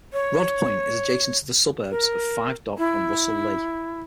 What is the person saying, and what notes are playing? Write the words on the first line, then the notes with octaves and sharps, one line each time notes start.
Rodd Point is adjacent to the suburbs of Five Dock and Russell Lea.
C#5
A#4
E4